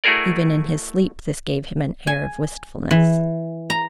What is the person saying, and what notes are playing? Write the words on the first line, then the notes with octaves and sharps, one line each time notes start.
Even in his sleep, this gave him an air of wistfulness.
A3 E4 F#4 G#4 A#4 D5
G#5
E3
A#5